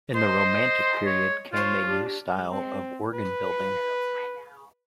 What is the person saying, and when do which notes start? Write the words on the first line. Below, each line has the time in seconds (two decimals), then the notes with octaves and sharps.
In the Romantic Period came a new style of organ building.
0.15 C5 D#5 C6
1.06 C#5
1.53 F4 C5 C#5
1.86 D4 G4
2.51 C4
3.14 B4